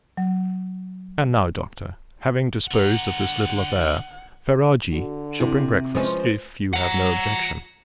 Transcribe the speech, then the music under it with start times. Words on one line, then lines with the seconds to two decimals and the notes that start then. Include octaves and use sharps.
"And now, Doctor, having disposed of this little affair, Ferajji shall bring breakfast; if you have no objection."
0.17 F#3
2.71 D3 F#5 A#5
4.92 D3 F#4
5.40 C3 E4 D6
5.95 F3 G#3 C#4 B4 C5
6.74 F#5 A#5